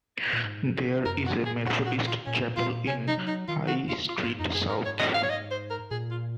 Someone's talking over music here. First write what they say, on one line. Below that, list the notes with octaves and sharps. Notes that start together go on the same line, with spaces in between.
There is a Methodist chapel in High Street South.
A#2
G#2
F#2 A#4
F#4
A#2
G#4
F#4
F#4
F4
A#2 C#4
A#2 F4
C3 C#4
D#4
F#3
D#4
D#3 F4
F#4
F4
F4
G#2 F4
F2 D#4
F#2 G#4
G#2 A#4
C#5
D#5
F5
C#5
D#5
C5
A#4
A#2 G#4
F4